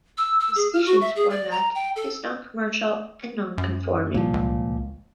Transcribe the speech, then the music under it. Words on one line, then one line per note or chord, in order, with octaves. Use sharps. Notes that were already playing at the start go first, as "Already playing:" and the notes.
The station's format is noncommercial and nonconforming.
E6
E6
G#4
F6
F#4
E5
G#4
D5
A#5
G5
A4
F#2
C2 A#2 F3
C#2